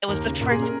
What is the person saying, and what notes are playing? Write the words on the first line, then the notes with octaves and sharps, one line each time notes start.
It was the first.
D#2 A#4
C#3
A#2 A#4
G#4
C#4 A#4